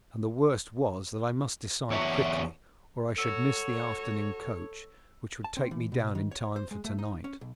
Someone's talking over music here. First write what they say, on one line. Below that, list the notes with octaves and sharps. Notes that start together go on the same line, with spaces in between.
And the worst was, that I must decide quickly, or I should miss the afternoon coach, which would take me down in time for to-night.
E2 C#5 E5
F#4 A4 C#5 E6
A5
C4
E3
B2
D#3
C#5
C5
G#3
A3
D#4
C#4
B1